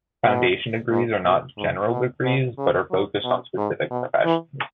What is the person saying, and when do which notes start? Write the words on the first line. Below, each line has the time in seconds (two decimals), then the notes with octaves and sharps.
Foundation degrees are not general degrees but are focused on specific professions.
0.25 B2
0.91 G#2
1.25 B2
1.58 G#2
1.91 B2
2.24 B2
2.58 C#3
2.91 F#3
3.24 B2
3.57 G#2
3.91 B2
4.25 E3